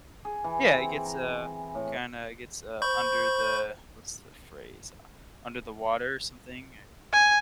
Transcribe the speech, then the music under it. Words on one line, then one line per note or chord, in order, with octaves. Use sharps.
Yeah, it gets, uh, kinda gets, uh, under the, what's the phrase u under the water or something,
G#4
E3
C4
A#5
A2
C5 B5 C#6 G6
G#5